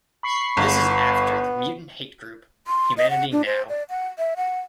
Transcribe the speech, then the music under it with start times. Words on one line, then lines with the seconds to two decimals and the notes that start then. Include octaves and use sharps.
This is after the mutant-hate group Humanity Now!
0.23 B5 C#6 C7
0.57 G1 B3
2.67 C6
2.97 D#5
3.10 F#5
3.32 D4
3.45 C5
3.69 D5
3.89 F#5
4.18 E5
4.37 F#5